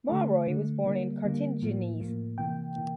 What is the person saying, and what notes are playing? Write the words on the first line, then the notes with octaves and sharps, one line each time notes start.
Mauroy was born in Cartignies.
D3 A3
D3 A3
D3 G3 A#3
D3 G3 A#3
A2 F3 A#3
A2 F3 A#3
C3 E3 A#3 G5
C3 E3 A#3